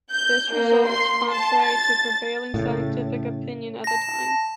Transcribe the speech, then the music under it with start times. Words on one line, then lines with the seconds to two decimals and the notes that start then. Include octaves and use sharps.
This result was contrary to prevailing scientific opinion at the time.
0.12 G6
0.55 A#3
0.89 C6
1.32 A5
1.65 A6
2.54 A2 C#3
3.84 A5 A#6